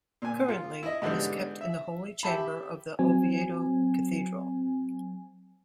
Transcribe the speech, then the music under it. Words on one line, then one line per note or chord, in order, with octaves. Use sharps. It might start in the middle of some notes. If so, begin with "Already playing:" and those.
Currently, it is kept in the Holy Chamber of the Oviedo Cathedral.
A#2 G#5
F4
E4 D#5
G#2 B2 D3 E3 G3
E5
G4 E5 A5 B5
F#3 C4 G#5